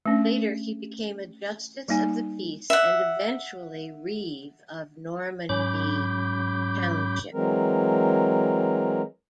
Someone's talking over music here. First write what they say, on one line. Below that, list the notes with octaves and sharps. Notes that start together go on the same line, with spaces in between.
Later he became a Justice of the Peace and eventually, Reeve of Normanby Township.
A3 C#4 D4
G3 A#3 D#4 G#5
E5 F#5
G#2 F#3 C#4 B5 D6 G6
E3 F#3 G#3 C4 A#4